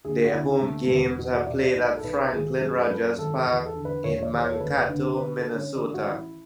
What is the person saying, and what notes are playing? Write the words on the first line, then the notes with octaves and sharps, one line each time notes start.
Their home games are played at Franklin Rogers Park in Mankato, Minnesota.
D2 G#4
F#4
D2 E4
D3 A3
A3
E1 B3
B2
F#4
B2 D5
D5
B1
A4
B1 B4
G#1 G#4
F#2 G#4
B4
F#2 A4
G#1 A4
E2 B4
A4
D3
B4
E1 C#5
C#5
D5
E2
C#5
A4
F#1 B4
D3
D3 B4
A4
D3
C#4
A1 D4
F#4
A1
E4